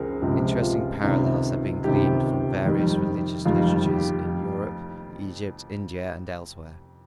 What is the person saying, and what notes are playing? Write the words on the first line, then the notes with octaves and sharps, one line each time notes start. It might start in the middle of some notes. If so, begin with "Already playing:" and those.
Interesting parallels have been gleaned from various religious literatures in Europe, Egypt, India, and elsewhere.
Already playing: C#2 F3 G#3 G#4 A#4 C5
C#2 C3 F3 G#3 G4
F4
C#2 C3 D#3
C#2 C3 D#3 G4
F2 D#3 G3
F2 D#3 G3 F4
G4